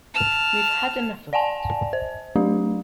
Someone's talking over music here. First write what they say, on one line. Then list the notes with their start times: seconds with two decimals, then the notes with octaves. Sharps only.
We've had enough of it.
0.14 A5 F6
1.33 D5 F#5 G#5 A5
1.93 C5
2.36 F#3 A3 D4 G4